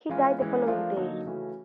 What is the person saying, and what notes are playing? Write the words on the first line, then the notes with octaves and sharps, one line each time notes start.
He died the following day.
E3 G#3 C#4 F4
E3 G#3 C#4 E4
F3 A3 D4 F4 A#4
D3 F#3 A#3 D#4 F#4
C#3 E3 A3 C#4 F#4